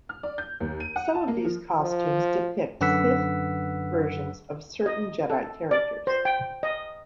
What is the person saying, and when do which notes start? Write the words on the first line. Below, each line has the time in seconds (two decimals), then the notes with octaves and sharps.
Some of these costumes depict Sith versions of certain Jedi characters.
0.09 F6
0.23 D5
0.38 G6
0.60 D#2
0.80 D#7
0.96 F#5
1.15 A5
1.28 A#3
1.45 F3
1.80 F3
2.81 F#2 D3 B4 F#5 E6 B6
4.86 D#5
5.30 A4
5.71 D5
6.07 C5
6.25 G5
6.63 D#5